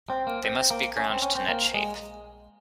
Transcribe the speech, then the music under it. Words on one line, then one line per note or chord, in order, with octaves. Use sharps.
They must be ground to net shape.
C4
A#3
C4
A#3
C#4
C4
C#4
C4
A#3
G#3